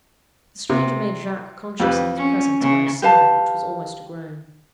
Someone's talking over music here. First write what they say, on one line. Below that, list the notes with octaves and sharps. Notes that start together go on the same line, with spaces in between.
The stranger made Jacques conscious of his presence by a sigh, which was almost a groan.
C3
F2 G4 B4
C#4
C#3
G4 B4 F5 A5